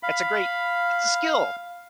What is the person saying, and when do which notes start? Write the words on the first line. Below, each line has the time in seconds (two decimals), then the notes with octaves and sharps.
That's a great it's a skill.
0.03 F5 B5